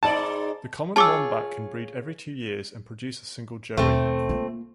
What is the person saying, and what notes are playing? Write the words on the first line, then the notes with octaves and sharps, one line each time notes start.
The common wombat can breed every two years and produce a single joey.
G#2 D#4 D5 A5
F4 G#4 C#5 A5 D6 E6
D#2 B2 A3 C4
A#3 F4